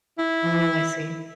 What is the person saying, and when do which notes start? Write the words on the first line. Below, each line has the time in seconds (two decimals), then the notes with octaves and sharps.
Oh, I see.
0.19 E4